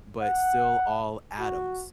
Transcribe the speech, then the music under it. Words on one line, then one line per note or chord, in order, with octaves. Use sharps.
but still all atoms.
F#5
F#4